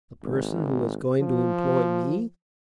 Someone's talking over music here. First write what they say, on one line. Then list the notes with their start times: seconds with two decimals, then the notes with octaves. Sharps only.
"The person who is going to employ me?"
0.23 G#1
1.19 F3